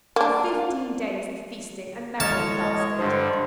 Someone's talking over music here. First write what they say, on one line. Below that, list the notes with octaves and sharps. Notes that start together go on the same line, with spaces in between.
For fifteen days the feasting and merriment lasted.
A#3 D4
A2 G#3 C#5 D#5 A5 F6
G2 D3 C5